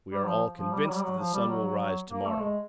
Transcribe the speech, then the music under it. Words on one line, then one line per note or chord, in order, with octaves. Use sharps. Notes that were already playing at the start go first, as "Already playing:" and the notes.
We are all convinced that the sun will rise to-morrow.
G3
F3
F3
G3
F#3
G3
F#3
F3
G3
F#3
F#3
F#3
A#3
A3
G#3